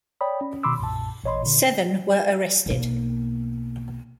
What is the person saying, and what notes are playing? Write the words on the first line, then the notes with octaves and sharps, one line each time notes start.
Seven were arrested.
C#5 D5 G5 B5 D#6
C#4
B2 D#3 B5 C6 D6 E6
B1 F#2 A#2 A5
A1 A#2 C#5 D#5 B5 C6
A#2 D3
B1 A#3